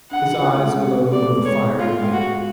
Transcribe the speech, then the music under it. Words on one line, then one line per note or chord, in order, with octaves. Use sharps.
His eyes glowed with a fiery light.
D4 F#5
G#4
F#4
F4
C#4
A3
G#3
A3
B3 D5
A3
B3
G#3
C#5
A3 F4
G#3
A3
G#3 F#4